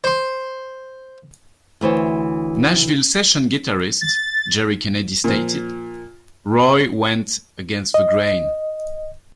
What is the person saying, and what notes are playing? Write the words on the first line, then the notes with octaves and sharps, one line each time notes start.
Nashville session guitarist Jerry Kennedy stated, Roy went against the grain.
C5 C6
D2 E3 C5 C#5
A6
A#2 F3
D#5